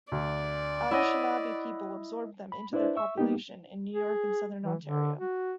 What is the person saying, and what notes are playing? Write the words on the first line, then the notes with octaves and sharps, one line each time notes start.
Anishinaabe people absorbed them into their population in New York and southern Ontario.
D2 D5
E4 C#5 D#5 F#5
B5
D4 E4 B4 C5 D5 E5
E5 C#6 E6
A#3 B3 D#4 G4
G#4
E3
D3
F#4